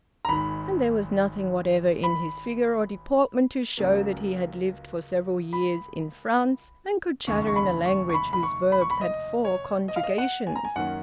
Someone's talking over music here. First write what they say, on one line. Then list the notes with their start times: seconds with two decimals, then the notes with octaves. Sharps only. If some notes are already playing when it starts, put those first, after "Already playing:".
And there was nothing whatever in his figure or deportment to show that he had lived for several years in France and could chatter in a language whose verbs had four conjugations.
0.25 A#5
0.29 G#1 G#2 D#3 B5
2.03 B5
3.78 C#2 C#3 F#3 A#3
5.53 B5
7.27 F1 D#2 C#3 C#6
7.47 C#6
7.56 B5
7.85 C#6
8.09 C#6
8.14 B5
8.33 B5
8.43 C#6
8.72 B5
8.81 C#6
8.90 B5
9.01 D#5
9.45 C#5
9.88 D#5
9.96 F5
10.03 D#5
10.18 F#5
10.47 G#5
10.56 A#5
10.65 G#5
10.76 F#2 D#3 A#3 C#4 F#5